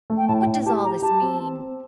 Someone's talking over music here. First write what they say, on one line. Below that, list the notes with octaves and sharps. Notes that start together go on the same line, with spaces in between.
"What does all this mean?"
A3
G5
A2 A5
G5
A2
G5
G4 A5
G4 A#5
G4 A5
C4
C4
C4